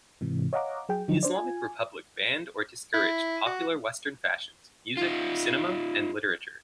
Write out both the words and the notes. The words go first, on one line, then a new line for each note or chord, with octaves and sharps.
The Islamic Republic banned or discouraged popular Western fashions, music, cinema, and literature.
G#2 C3 E3
C#5 D#5 F5 F#5 A#5 D6
F#3 G#4 G5
D3 F3 F#3 D#4
D4 C5 D5
F4 G#5
E4
F#4
D#4 F4